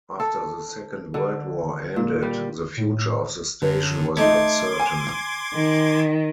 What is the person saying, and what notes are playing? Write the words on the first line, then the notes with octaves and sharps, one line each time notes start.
After the Second World War ended, the future of the station was not certain.
A4
D3
A#2
G3
A2
F#2 D3
A3 D#4 C6 D6 G#6
G#5
D#3